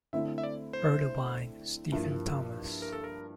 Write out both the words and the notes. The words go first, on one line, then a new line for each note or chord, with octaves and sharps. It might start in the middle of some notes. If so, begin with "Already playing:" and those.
Erlewine, Stephen Thomas.
D3 A3 C4 E4 E5
E5
D5
C5
G2 F3 A#3 E4
A#4
A4
A#4